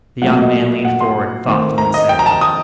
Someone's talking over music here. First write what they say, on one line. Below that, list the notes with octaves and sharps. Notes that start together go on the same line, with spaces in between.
The young man leaned forward, thoughtful and sad.
A#2 F#3 A3 F#5
D#5
F#5
C6
D#3 A3 C4
A#5
D#5
G5
A#5
A5
D#6